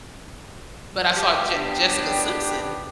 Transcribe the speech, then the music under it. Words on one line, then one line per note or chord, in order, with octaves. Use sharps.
but I saw Jes Jessica Simpson
G4
B3 D4